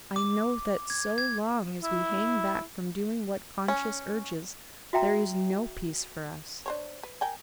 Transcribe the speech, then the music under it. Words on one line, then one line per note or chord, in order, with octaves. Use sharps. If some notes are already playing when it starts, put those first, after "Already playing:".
I know that so long as we hang back from doing what conscience urges, there is no peace for us.
D6
G#6
G#6
E4
C#4
F#4 E5 G5 A#5
D4 C5 C#5
B4
A#4 G5 G#5